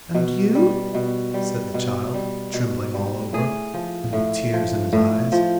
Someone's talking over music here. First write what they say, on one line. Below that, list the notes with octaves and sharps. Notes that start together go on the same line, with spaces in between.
"And you?" said the child, trembling all over, and with tears in his eyes.
B2
G3
B2
G3
B2
G3
B2
G3
A2 G#4
F3
A2
F3
A2
F3